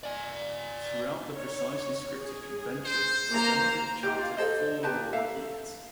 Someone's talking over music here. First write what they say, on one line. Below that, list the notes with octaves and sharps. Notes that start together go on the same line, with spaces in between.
Throughout the precisely scripted convention, delegates chanted Four more years!
D5 G#5
C#5
G#4
C5
A#3 A#5
G4
F4 F5
A4 C5 D#5
D#4 G4 B4 A5
A4 E5 F5